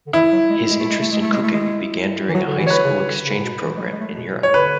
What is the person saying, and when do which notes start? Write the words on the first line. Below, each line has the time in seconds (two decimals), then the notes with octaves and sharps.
His interest in cooking began during a high school exchange program in Europe.
0.07 D3
0.13 E3 E4
0.32 F#3
0.50 G#3
0.68 G#3
0.79 A3
0.89 G#3
1.00 A3
1.11 G#3
1.21 A3
1.32 G#3
1.43 A3
1.53 G#3
2.29 E3
2.34 F#3 F#4
2.47 D3
2.58 E3
2.67 C#5
2.70 B4
2.84 C#3
3.07 D3
3.26 C#3
3.37 A2
3.44 B2
3.62 E3
3.77 G#3
3.81 F#3
3.91 G#3
4.00 A3
4.17 B2
4.36 B2
4.43 C#5
4.54 D3 B4